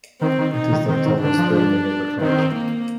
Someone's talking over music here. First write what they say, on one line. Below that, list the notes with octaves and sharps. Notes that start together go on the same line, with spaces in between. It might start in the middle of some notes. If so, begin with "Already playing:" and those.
It is the tallest building in the country.
D#3 C4
D#3
D#4
D#3
D#3 C4
D#3
D3 D4
F3
D4
D#3 C4
A#3